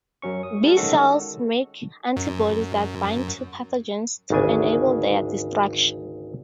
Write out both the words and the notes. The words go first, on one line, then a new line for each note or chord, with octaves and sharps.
B cells make antibodies that bind to pathogens to enable their destruction.
F#2 F#3 C#4 C#6
D#6
G3 A#3 A5 F6
D#3 G#3 C#4 F#4 A4
F#2
G#1 D2 C#3 D4 G#5